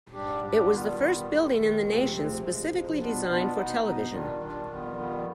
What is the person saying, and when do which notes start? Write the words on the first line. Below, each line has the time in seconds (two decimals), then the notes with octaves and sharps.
It was the first building in the nation specifically designed for television.
0.13 G#2 G3 D4 G4
0.41 G#2 G3 D4 G4
0.69 D#3 G3 B3 F4
0.97 D#3 G3 B3 F4
1.26 D#2 D#3 G#3
1.54 D#2 D#3 G#3
1.82 D2 C3 F3 G#3 C4
2.11 D2 C3 F3 G#3 C4
2.39 F2 C3 F3 G#3
2.67 F2 C3 F3 G#3
2.96 B2 B3 D4 F4
3.24 B2 B3 D4 F4
3.52 B2 B3 D#4
3.81 B2 B3 D#4
4.09 D#3 G3 D4 F4
4.37 D#3 G3 D4 F4
4.65 F2 D#3 G3 B3 F4
4.93 F2 D#3 G3 B3 F4